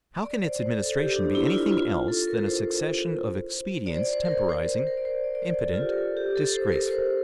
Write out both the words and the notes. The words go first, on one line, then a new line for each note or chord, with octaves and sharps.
How can its administration be any thing else than a succession of expedients temporizing, impotent, disgraceful?
D5
C5
C5
A4
G4
D4
E4
F4
E4
F4
A4
A#4
C5
D5
C5
C5
A#4
C5
C5
C5
A#4
D5
C5
D5
D5
C5
A4
F4
G4
A#4
A4
G4
A4
C5
A#4
C5